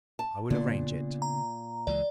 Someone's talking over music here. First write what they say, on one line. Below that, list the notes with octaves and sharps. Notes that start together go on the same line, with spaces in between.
'I will arrange it.
A5
A#2 C#3 B3 D4
A#5
C#2 E3 G#3 D5